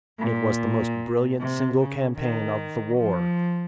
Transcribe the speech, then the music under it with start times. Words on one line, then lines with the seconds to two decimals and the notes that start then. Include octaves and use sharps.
It was the most brilliant single campaign of the war.
0.19 A#2
1.39 C3
1.79 C#3
2.19 D#3
2.98 F3